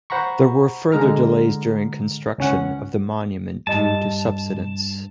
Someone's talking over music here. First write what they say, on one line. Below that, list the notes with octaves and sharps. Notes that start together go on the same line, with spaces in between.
There were further delays during construction of the monument due to subsidence.
C5 F#5 A#5 B5 C#6
D3 G#3 A#5 F6
C#2 C#4 F#5
G2 D#5 A5